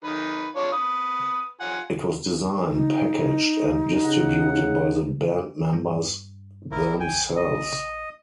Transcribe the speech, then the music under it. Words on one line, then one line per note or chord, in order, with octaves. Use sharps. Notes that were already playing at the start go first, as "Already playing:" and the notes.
It was designed, packaged and distributed by the band members themselves.
D#3 B4
D4 F4 C#5
B4 D#6
F4 F#5 G#5
D#4
C#3 F#5
G2
A#1 E4 A#4
G5 G#5
D#5